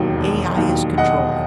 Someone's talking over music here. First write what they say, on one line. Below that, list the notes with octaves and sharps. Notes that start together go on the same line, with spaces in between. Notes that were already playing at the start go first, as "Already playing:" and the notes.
AI is controlling?
Already playing: E1 D#2 D#3 F#3
E1
D#2 D#3 F#3
E1 D#5 F#5